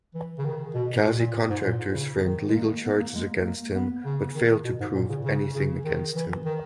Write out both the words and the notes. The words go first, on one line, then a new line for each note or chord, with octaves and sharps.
Kazi contractors framed legal charges against him but failed to prove anything against him.
E3
C#3
D#3
B2
A#2
A#2
G#2
A#2
C#3
D#3
G#3
A#3
B3
A#3
G#3
A#3
B3
C#3
D#3
B2
G#2
A#2
C#3
C#3
C#3
D#3
E3
D#3